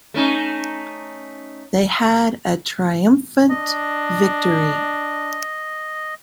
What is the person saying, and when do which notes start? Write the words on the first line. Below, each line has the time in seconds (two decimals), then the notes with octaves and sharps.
They had a triumphant victory.
0.14 A3 C#4 D#4
3.50 D4 D#5